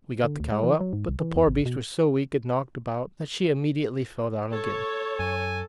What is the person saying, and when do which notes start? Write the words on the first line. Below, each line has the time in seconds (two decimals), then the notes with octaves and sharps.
We got the cow up, but the poor beast was so weak and knocked about that she immediately fell down again.
0.24 D3
0.40 D2
0.52 G#3
0.63 E3
0.81 F#3
0.93 G#2
1.08 C2
1.20 E3
1.36 E2
1.47 G#1
1.66 B2
4.52 A4 C#5
5.19 F#2 G#5